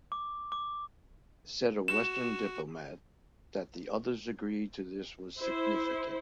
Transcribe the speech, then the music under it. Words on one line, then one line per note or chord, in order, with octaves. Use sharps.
Said a western diplomat, That the others agreed to this was significant.
D6
D6
F#4 E7
E4 C5